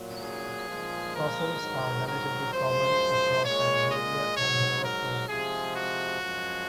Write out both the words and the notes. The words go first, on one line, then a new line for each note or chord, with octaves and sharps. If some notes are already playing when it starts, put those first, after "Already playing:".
Fossils are relatively common across Algeria and Morocco.
Already playing: A#2 F#3
G#4
A#2 F3 G#3
A#4
G#2 D#3 F#3
A#4
F#2 F3 G#3 C5
A#2 G#3 C#5
D#5
G#2 F#3 C#5
A#4
C3 F3 G#3 G#4
F#4
F#2 F3 G#3